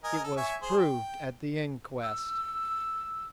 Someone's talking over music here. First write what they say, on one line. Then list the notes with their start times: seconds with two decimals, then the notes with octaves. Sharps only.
"It was proved at the inquest."
0.04 A#4 D#5 G#5
0.24 A4
0.37 C#5 E5 G#5
0.62 G#4 C5
0.77 G5
2.03 E6